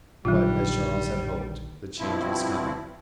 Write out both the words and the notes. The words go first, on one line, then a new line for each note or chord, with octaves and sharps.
But, as Charles had hoped, the change was coming.
A#1 D3 D#3 F#3 G3 F4
G2 B2 F3 C4 E4